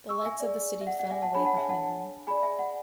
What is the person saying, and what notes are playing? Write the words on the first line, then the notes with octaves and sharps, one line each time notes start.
The lights of the city fell away behind them.
C#6 E6
E5 G#5
G#4 D5
E5
F#5
F#5
E5 G#5
F#5 A5
D4 G#4 C#5 G#5 B5
F#5 A5
E5 G#5
F#5 A5
G#4 D5 G#5 B5
E5 G#5
F#5